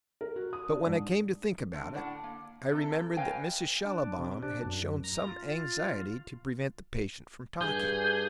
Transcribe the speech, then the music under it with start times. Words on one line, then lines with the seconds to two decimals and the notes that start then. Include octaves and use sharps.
But when I came to think about it I remembered that Mrs. Schallibaum had shown some anxiety to prevent the patient from talking.
0.21 A#4
0.36 F#4
0.53 D#6
0.69 D4
0.86 G#2
1.74 D3
1.94 A2 D4 F#5
2.24 A#3
2.71 C3 A4
3.17 B4 C#5 D#5 F5 G5 G#5
3.85 D4
4.19 C3
4.43 D4
4.65 F#2
5.04 A#5
5.26 F4
7.61 G2 G#4 G6